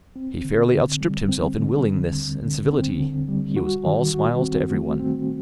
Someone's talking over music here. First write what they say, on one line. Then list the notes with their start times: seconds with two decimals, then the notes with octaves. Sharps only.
He fairly outstripped himself in willingness and civility; he was all smiles to everyone.
0.16 C4
0.45 D3
0.72 D3
1.01 G3
1.29 C4
1.58 D3
1.86 D3
2.15 D#2
2.43 D3
2.72 C4
3.00 D3
3.28 G3
3.56 F#4
3.86 D#3
4.14 F#4
4.42 C4
4.71 A3
5.00 C4